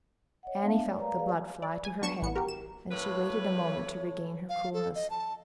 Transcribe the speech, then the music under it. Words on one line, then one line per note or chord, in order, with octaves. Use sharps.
Annie felt the blood fly to her head, and she waited a moment to regain her coolness.
C#5 D#5 F#5
B3 D4 E5 F5 A5
C#5 D5
A#4 B4 D5 F5 A#5
G#4 B4 D5 F5 F#5
D5
G#5
F#3 B3 D4 C#6 C#7 E7
A1 E3 B3 C#7
F#4 G4 A#4
E7
A2 C3 A#3 B4 C#5
F5
A4
D#5
A5